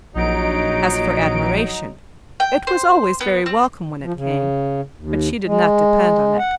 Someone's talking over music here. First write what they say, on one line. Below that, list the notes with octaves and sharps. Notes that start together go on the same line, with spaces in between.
As for admiration, it was always very welcome when it came, but she did not depend on it.
A#1 F#3 D#4 D7
G5
C5
B3
C4
F3
C#3
D#2
G#3
F#5